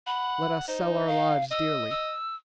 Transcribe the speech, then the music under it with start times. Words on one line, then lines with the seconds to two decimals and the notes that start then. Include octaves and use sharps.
"Let us sell our lives dearly."
0.07 F#5 B5
0.68 D#4 C5
1.07 F5
1.51 D#5 E6
1.90 E6